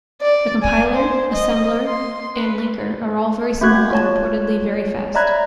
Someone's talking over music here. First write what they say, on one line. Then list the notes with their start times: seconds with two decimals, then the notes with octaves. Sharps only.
The compiler, assembler and linker are all very small and reportedly very fast.
0.22 D5
0.63 G#5
0.95 C5
1.33 D#5
1.89 C6
2.36 B4
3.61 A3 A#3 F#4 F#6 G#6
3.90 F4 C#5 A5
5.15 D5 E5 A#5 B5 F#6 G#6